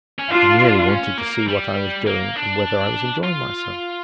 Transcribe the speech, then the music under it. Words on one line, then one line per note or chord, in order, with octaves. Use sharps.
He merely wanted to see what I was doing and whether I was enjoying myself.
C#4
D4 F4
D4
C#4
A#3
G3
A#3
D4
F4